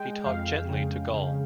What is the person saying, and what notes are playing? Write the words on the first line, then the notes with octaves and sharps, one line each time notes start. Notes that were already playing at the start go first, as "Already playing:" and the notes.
He talked gently to Gaul.
Already playing: G#3 G5
F2 F5
C#3
C#3